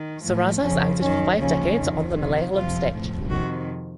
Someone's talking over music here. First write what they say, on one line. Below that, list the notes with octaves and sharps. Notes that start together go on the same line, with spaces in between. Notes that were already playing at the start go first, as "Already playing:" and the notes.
Sarasa has acted for five decades on the Malayalam stage.
Already playing: D#3
A2 F3
F2 C#3 F3 C#4
F#2 D#3 C#4
D#2 C#3 F3 C#4
F2 D#3
F2 C3 D#3
F2 C3 F3 F4
A2 F3
F2 C3 D#3 F#4